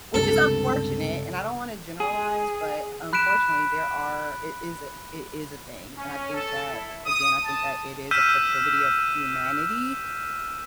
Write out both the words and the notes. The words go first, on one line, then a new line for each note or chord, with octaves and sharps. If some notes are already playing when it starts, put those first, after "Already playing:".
Which, is unfortunate, and I don't wanna generalize, but, unfortunately, there are it is a it is a thing, and I think that again, I think that it is a proclivity of humanity,
C#2 G2 C3 A4
G#4
B5 F#6 B6 D7 E7
C#4
A4
E4
D#6
A5
E6 F6 G6 B6 D#7 E7